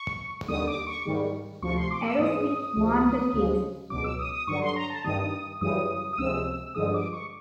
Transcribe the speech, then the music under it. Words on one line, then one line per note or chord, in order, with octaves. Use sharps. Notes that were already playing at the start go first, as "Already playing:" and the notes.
Aerosmith won the case.
Already playing: C#6
D#2 D3 G3 D#6
D6
C#6
G#2 D#3 G3
D2 C3 F3 C#6
C6
D6
E6
G#2 E3 G#3 D#6
C#2 C3 F3 G#3
D2 C#3 F3 G#3
C#2 B2 F#3 D6
E6
D#6
D#6
G2 D3 F#3 C#6
C6
A#5
A5
G2 D#3 G3 D#6
F#2 C#3 E3 G3 D#6
D#6
C#2 C3 F3 G#3 E6
G2 D3 F3 G#3 D#6
D6
C#6